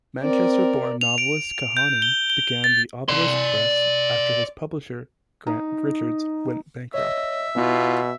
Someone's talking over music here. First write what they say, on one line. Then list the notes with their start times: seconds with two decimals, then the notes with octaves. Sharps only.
Manchester-born novelist Kahane began the Obelisk Press after his publisher, Grant Richards, went bankrupt.
0.22 C4 A#4 D5
1.01 F7
1.18 D7
1.77 G6
2.02 G7
2.30 G7
2.64 A6
3.09 D5 C6
5.47 D#4
6.94 C#5 D#5 E5
7.56 B2 B3 E4 F4